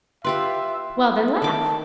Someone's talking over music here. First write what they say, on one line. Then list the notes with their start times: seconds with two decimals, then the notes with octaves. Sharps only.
"Well, then, laugh."
0.24 F4 G4 B4 E5 C6
0.95 E4
1.42 D#3 A5 D6